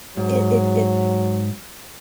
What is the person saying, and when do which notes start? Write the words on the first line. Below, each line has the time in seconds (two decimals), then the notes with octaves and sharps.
it it it
0.17 G#2 F#3